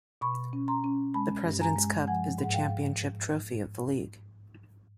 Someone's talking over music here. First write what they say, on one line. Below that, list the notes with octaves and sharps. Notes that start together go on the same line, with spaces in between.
The President's Cup is the championship trophy of the league.
B2 B5 C#6
C#4
A#5 C6
C#4
G#3 A5 B5
G2
G#5 A#5
G#3
F3 F#5 G#5
G#2 F#5
F5 G5